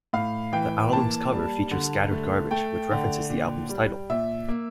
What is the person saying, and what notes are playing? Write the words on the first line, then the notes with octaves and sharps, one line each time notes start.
The album's cover features scattered garbage, which references the album's title.
A2 F5
E3 G5
A#3 A5
G3
D3
A3
A3 G5
D3
A#2
G3
A#2 E5
A#3